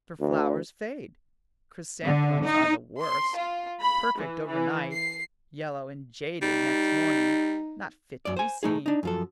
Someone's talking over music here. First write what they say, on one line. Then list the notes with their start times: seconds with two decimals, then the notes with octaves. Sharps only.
For flowers fade; chrysanthemums are the worst; perfect over night; yellow and jaded next morning--not fit to be seen.
0.20 D2
2.05 D3
2.45 D#4
3.00 C6
3.37 F4
3.81 B5
4.20 E3
4.48 E3
4.93 C7
6.42 G3 D#4
8.25 F#2 D5
8.37 C5 G#5
8.63 A3 D#4 G#4
8.86 D4 D#4
9.03 F#2 F3 A4